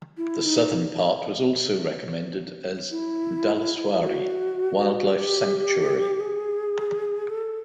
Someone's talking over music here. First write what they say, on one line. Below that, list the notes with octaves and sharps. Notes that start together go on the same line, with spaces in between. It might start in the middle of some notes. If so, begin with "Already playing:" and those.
The southern part was also recommended as 'Dhaleswari' wildlife sanctuary.
E4
D#4
E4
F#4
G4
G#4
A4